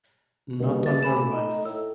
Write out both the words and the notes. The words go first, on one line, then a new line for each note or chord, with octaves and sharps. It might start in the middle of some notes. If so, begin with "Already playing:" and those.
Not on your life.
B2 D3 G3 A#3
E5 A6
A3 G#5 B5 E7
D#4
A2 E6